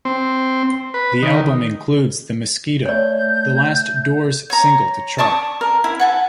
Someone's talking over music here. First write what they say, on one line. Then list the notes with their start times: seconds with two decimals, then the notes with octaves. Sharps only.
The album includes "The Mosquito", the last Doors single to chart.
0.05 C4
0.94 B4
1.23 D#3
2.86 A3 C#5 D5 G6
4.50 C#5 A#5
5.18 D5 A5 C#6 D#6
5.61 A#4
5.84 E4
6.00 F#5 G#5 A5